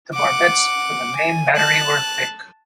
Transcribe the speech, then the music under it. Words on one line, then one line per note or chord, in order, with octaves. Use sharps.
The barbettes for the main battery were thick.
F#5 D6
G#5
A5 F#6